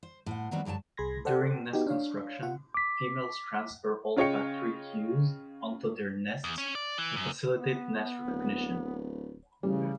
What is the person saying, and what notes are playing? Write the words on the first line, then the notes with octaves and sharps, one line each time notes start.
During nest construction, females transfer olfactory cues onto their nests to facilitate nest recognition.
C5
A2 C5 F#5
D#3 F#3 G3 B3 C4 D4
D2 G2 F#3 G5 A5
C2 G#4 B5 C6 G#6 A#6
A4 C5 D5 F#5 G5
B3 D#4 F#4 G4
D4 C#5 F5
F4 F#5
D6 B6
C#3 F4 C#5 D#5 G5 C#7
E2
C#4
D5
E3
F#2
B3
D1
A1 C#3 G3